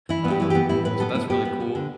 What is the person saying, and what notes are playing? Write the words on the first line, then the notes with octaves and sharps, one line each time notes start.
um, so that's really cool
E3 E4
B3
G4
E3 E4
B3 G4
A2 E4
A2 B4
B3 A4
B3 E4
B3 G4
B3
B3
D3